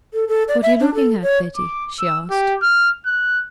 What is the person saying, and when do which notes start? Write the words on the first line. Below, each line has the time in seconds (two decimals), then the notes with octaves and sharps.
"What are you looking at, Betty?" she asked.
0.14 A4
0.28 A4
0.48 D5
0.63 E5
0.80 D4
0.95 A4
1.23 C#5
1.57 D6
1.99 E6
2.30 G4
2.62 F6
3.06 F#6